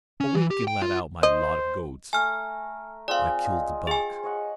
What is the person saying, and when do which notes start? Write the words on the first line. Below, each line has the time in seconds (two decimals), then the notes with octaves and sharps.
Awake and let out my lot of goats.' I killed the buck.
0.21 C#4
0.35 E3
0.51 G4
0.67 G5
0.82 F4
1.23 C5 D#5
2.13 A3 G#5 A#5 F6
3.08 C4 F4 G#4 D5 F5
3.45 D#5
3.87 G#4 G#5
4.23 C#5 D#5 F#5